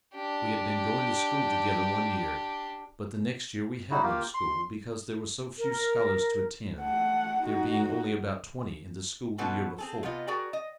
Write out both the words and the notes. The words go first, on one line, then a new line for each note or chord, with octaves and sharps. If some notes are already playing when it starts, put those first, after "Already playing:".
We had been going to school together one year; but the next year we had no school, because there were so few scholars to attend, there being only about twenty in the school the year before.
D4 G4
G3 D#4 E4 F#4
A#3 F4 G4
C6
A#4
A3 F#5
D#4 F#4
B2 F3 F#3 B3 C#4 A4
C4 G#4 A4
C3 B3 F4 D#5
F#4 G#4 A#4 D5 G5
D#5